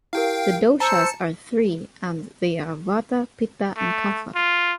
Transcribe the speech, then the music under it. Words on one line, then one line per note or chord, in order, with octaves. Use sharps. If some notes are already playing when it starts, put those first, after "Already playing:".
The "doshas" are three and they are Vata, Pitta and Kapha.
E4 G4 A#4 F5 G5
C5 A5 A#5 E6 C#7
A3
F4